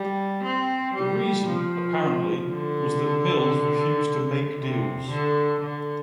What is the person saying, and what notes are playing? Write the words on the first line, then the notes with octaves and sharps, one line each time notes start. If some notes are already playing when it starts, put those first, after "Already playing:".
The reason, apparently, was that Mills refused to make deals.
Already playing: G3
C4
G3
F3
D3
C3
D3
D3